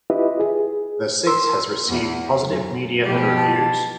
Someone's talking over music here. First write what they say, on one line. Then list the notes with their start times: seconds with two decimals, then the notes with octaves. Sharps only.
The Six has received positive media and reviews.
0.10 E4 F4 G4 B4 D#5 E5
0.40 G#4
1.27 A#4 C6 E6
1.89 E2
2.43 F#2
3.03 B2 F3 G4
3.38 A5